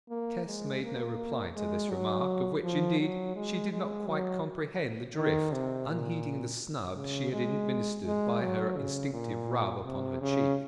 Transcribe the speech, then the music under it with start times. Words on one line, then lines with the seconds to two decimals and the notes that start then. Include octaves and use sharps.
Tess made no reply to this remark, of which, indeed, she did not quite comprehend the drift, unheeding the snub she had administered by her instinctive rub upon her cheek.
0.10 A#3
0.46 G#3
0.83 A#3
1.55 G#3
1.91 F#3
2.63 F3
3.00 F#3
3.35 G#3
3.72 G#3
4.07 F#3
5.17 D#3
5.52 C3
5.89 A#2
6.97 C#3
7.33 G#3
8.06 G#3
8.41 F#3
8.77 C#3
9.13 A#2
9.85 C3
10.22 C#3